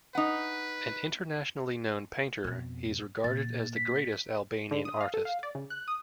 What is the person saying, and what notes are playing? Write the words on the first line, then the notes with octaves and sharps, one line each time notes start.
An internationally known painter, he is regarded as the greatest Albanian artist.
D#4 B4 F#5
F2 B2
A#2 A6
B6
D3
D#6
F5
A4
F5
D5
C#3
F#6
D#6